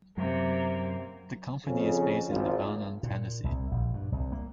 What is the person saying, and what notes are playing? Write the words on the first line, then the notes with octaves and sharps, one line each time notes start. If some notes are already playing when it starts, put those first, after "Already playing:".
The company is based in Lebanon, Tennessee.
F#2 C3 F#3 A#3
F2 C#3
G#1 F4
A#2
C2
A#1
G2
C2
A#3